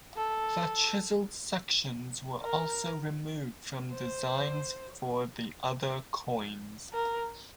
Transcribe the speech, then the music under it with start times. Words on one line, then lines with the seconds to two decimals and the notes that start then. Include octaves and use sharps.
The chiseled sections were also removed from designs for the other coins.
0.17 A4
2.43 A#4
3.93 C5
6.94 A#4